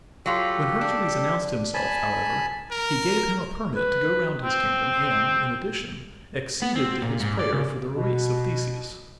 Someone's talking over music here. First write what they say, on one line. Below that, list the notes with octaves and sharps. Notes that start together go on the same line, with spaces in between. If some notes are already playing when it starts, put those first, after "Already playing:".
When Hercules announced himself, however, he gave him a permit to go round his kingdom and, in addition, acceded to his prayer for the release of Theseus.
F#3 F4 G4 A4
D4
G#5 A5 B5
A#4
B4
C4
B3
C4
A#2
G#2
D5
C#3
B2